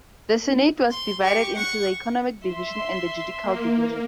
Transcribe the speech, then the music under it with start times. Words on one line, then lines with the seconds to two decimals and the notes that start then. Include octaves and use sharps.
The Senate was divided into the economic division and the judicial division.
0.90 C6
1.21 G4 C#6
1.55 F#5 C#6
2.45 E5 C6
3.43 A#3